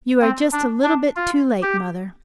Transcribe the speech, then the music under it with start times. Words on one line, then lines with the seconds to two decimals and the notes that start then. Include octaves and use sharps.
You are just a little bit too late, mother.
0.21 C4
0.53 D4
0.84 D4
1.16 F4
1.63 G4